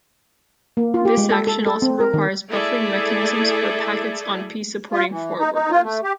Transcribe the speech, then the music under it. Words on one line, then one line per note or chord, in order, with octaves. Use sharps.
This action also requires buffering mechanisms for packets on p-supporting forwarders.
A#3
F4
G4
G#3
A4
A4
A4
C4
A#4
D#3
A3 E4 G#4 A4 D5
F4
E3
D#4
D#4
F4
A3
G4